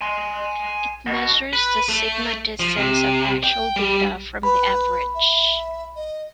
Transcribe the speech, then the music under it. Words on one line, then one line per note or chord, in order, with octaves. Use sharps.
It measures the sigma distance of actual data from the average.
G#5 C6
B2 F#4
B4
A3
F3
C3
G5
G3
B4 B5
E5
D#5